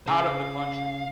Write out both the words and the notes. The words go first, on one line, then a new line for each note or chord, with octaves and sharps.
out of the country.
C#3 F5